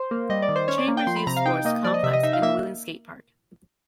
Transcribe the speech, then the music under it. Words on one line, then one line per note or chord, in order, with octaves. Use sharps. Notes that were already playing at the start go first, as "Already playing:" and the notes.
Chambers Youth Sports Complex and Wheeling Skate Park.
Already playing: C5
A#3
G3 D#5
D5
D#3
C5
C#4 C#5
D5
A#3
G5
F3 C6
B5
C3 A#5
F5
D#4 G5
A#3 D#5
F3 D5
D#5
C3 E5
D#5
D#4 E5
F5
A#3 E5